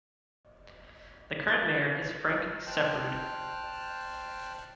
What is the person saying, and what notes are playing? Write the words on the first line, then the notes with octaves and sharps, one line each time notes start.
The current mayor is Frank Seffrood.
A6
C5 G5 A5 F6 F#6